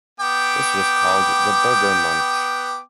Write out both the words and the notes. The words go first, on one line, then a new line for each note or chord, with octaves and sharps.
This was called the "Burger Munch".
B3 G5 D6